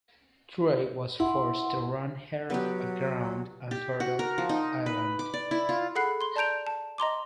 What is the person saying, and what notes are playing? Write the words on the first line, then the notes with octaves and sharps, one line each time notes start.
Drake was forced to run her aground on Turtle Island.
E4 F#5 C6
F#3 B3 G4
G4
F#4
A#4
F3
D#4
B4
D6
D5
E4
F4
G#4 A4 F#5 B5 F#6 C7
C6 G7
D5 A5 A#5 G6 D7 F7
A5
D#5 A#5 C6 D6